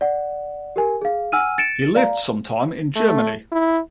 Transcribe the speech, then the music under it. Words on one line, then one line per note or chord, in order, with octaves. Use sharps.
He lived some time in Germany.
D5 F#5
G4 A#4 G#5
G#4 F5
F#5 G#5 E6 F6 D#7
A6 C#7 D7 E7
D5 F5 A#5
A3
E4